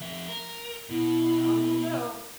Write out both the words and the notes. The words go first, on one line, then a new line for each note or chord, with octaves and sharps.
'Down you go!
F2 E5
A#4
B2 E4